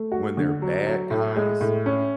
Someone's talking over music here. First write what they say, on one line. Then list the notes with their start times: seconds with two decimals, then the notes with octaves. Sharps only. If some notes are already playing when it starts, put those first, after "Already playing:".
when they're bad guys,
Already playing: A3
0.12 F#4
0.37 D3
0.62 F#3
0.86 F#3
1.11 A2
1.36 G#3
1.61 A2
1.86 C#4